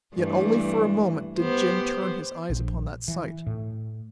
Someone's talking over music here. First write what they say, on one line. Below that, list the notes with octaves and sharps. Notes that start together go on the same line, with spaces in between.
Yet only for a moment did Jim turn his eyes upon that sight.
G2 E3 A3
B3 G4 C5
A#1
E3
A2